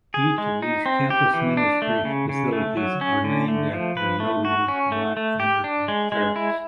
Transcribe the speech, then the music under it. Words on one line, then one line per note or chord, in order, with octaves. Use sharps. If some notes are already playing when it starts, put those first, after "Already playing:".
Each of these campus ministry facilities are named after notable Black American clerics.
G#4
G#3
D#4
C4
G4
E3
D4
A3
C#3
C#3
A3
F#3
C#4
D3
A3
F3
B4
A3
F#4
C#4
A3
A3
G4
D4
G#3
G#3
E4